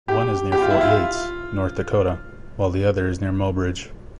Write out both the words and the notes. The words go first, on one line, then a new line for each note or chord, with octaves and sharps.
One is near Fort Yates, North Dakota, while the other is near Mobridge.
G4
G4
F4
E4
F4